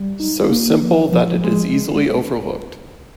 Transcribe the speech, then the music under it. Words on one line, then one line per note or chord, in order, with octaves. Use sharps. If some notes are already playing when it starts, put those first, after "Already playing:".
So simple that it is easily overlooked.
Already playing: G3
D#4
A#3
F3
F3
G#3